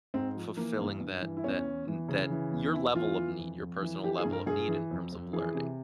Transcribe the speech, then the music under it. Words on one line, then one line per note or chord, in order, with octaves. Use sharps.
fulfilling that that n that your level of need your personal level of need in terms of learning.
G#2 C4
F3
E3 A#3
G2
G2
E3
E4
E2 C#4
E2
E3
C#3
E3
E2
E2 E4
E3 F4
E3
F2
F2
E3
E3 G4
G#4
G2
A#4
G2 G#4
E3
F2
F2
E3 G#4
C3